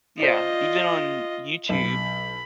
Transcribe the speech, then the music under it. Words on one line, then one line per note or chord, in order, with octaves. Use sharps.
Yeah, even on YouTube,
F4 C5 D5 D#5
B1 B5